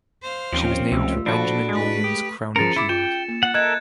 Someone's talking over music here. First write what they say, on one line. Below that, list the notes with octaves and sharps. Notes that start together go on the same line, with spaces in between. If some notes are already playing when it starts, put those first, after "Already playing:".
She was named for Benjamin Williams Crowninshield.
C5 F5
D#2 F3 C4 C#4
C#2 G3 A3 F4 E6
F3 D4 F#4 A4 B5
G#3 A3 B4
G4 D#6
F3 C#4 G#4 A#4 A6 C#7
E4 B5 D6
F4 G5 E7
A#3
F#5
A4 A#4 D#5 E5 F#6 G#6